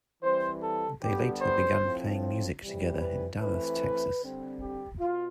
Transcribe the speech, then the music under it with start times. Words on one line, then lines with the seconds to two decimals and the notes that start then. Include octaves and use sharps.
They later began playing music together in Dallas, Texas.
0.23 E3 G3 C4 C5
0.63 A4
1.02 D3 G3 B3 G4
1.42 C5
1.82 A2 F3 C4
2.61 C3 E3 G3
3.02 B4
3.40 E3 A3 C4 B4
4.21 D3 G3 C4
4.60 G4
4.99 B2 F4